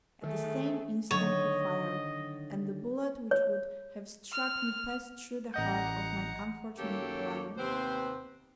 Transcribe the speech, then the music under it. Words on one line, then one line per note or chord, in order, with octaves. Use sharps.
At the same instant he fired, and the bullet which would have struck me passed through the heart of my unfortunate brother.
D#3 A3 G#4
D3 D#3 F#3 C#5 D#5
C#5
F6
A1 D#5 F#5 A#5 G6
F#2 D#3 A#3 G4 A4 C#5
D#2 C3 B3 C4 B4 C5